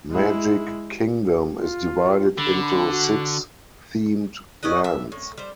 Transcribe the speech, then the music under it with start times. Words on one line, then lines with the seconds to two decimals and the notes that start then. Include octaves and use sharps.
Magic Kingdom is divided into six themed lands.
0.10 G#3 E4
1.58 F4
2.38 D3 B5
2.60 B5
2.90 F#4
4.63 C#4 D5 D#5 F#5
4.84 E5
5.12 A2
5.38 G3 C5